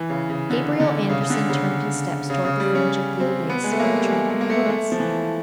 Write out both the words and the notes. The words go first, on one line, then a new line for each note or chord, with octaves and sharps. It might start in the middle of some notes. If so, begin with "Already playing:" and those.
Gabriel Andersen turned his steps toward the fringe of blue lace for a tramp in the woods.
Already playing: E3
C#3
C#3
D3
D3
C#3
C#3
D3
C#3
C#3
C#3
G3
C#4
C4
B3
G#3
A3
A#3
G3
G#3
G#3
A#3
A3
G#3
A3
F3
E3